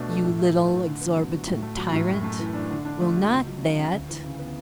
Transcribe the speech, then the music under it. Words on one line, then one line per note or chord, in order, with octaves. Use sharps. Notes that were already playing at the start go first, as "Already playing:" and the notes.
You little exorbitant tyrant, will not that--?'
Already playing: B2 A3 D4
A4
A2
A3
E3
A2
D3
B3
F#3
F#4
A2
A3
F#3
A2
F#2
A3
E3
D4
D3
D4
A3
F#4
C#2
F#3
C#3
C#4
D2
E3
C#3
B3